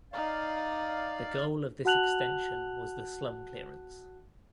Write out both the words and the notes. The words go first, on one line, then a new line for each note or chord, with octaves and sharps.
The goal of this extension was the slum clearance.
D#4 D5 F5
F#4 F#5 A5 F#6 F7 F#7